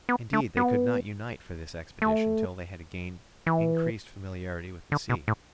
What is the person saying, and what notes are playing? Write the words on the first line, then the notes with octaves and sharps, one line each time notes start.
Indeed, they could not unite for this expedition till they had gained increased familiarity with the sea.
B3
A3
B3
A3
E3
D3
B2
A2